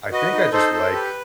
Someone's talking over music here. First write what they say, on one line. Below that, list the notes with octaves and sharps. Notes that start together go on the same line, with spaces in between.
I think I just like
F#4 B4 D#5
D#4
D#4 A4 C5
A4
G4 B4